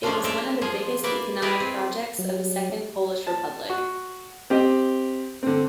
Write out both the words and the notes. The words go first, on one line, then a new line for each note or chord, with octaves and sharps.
It was one of the biggest economic projects of the Second Polish Republic.
F3 G#3 A3 C#4 D4 F4
G#3 A#3 F4 A4 D5 E5
F3 F4 G#4
A#3 B3 D5 E5
E4 G#4 A#4 B4 D5 D#5
C4
F#3
A5
F#4
C4 G4 D#5
D3 C4